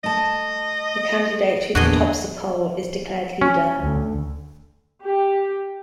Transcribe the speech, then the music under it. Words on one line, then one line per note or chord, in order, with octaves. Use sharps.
The candidate who tops the poll is declared leader.
A3 D#5 A5
E2 A#2 D3 B3 F#4 G#4 D#5
C#4
D2
G4